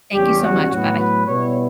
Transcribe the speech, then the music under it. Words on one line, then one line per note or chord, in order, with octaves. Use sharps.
Thank you so much, bye-bye.
E2 C#3 G3 C#4 G4
F#4
A2 F#3 B3 F#4
B4
B2 G3 B3 E4 C#5